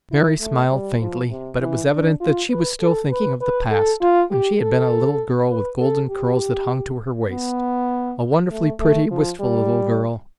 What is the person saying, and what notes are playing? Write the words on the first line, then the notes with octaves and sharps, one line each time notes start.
Mary smiled faintly but it was evident that she was still thinking of the past, when she had been a little girl with golden curls that hung to her waist; a wonderfully pretty, wistful little girl.
E4
A3
G3
F3
C3
E3
D4
F4
B4
A4
B4
B4
A4
F4
G4
A4
B4
A4
G4
B3
A3
A3
F3
G3